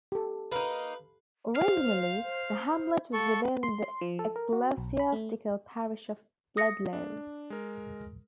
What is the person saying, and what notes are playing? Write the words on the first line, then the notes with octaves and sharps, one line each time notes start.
Originally the hamlet was within the ecclesiastical parish of Bledlow.
G4 A4
A#3 D#4 B4 F5
C5 F5
A4 F5 C#6
C6
F3
A4
A#4
F#4
B1
B5
A3
D#6 A#6 C#7
D4
G#3 A#4